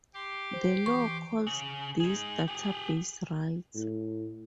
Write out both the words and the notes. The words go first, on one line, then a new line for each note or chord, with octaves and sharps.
The law calls these database rights.
G4 C6 D6
C5
E3 C#6
C#3
D#4 G#4
G4 G#4
A2